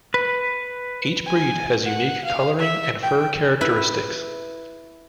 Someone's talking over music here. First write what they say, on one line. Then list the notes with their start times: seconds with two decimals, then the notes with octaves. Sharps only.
Each breed has unique coloring and fur characteristics.
0.14 B4
1.26 G#5
1.84 F#5
2.25 F5
2.59 E5
3.02 G5
3.61 E4 B4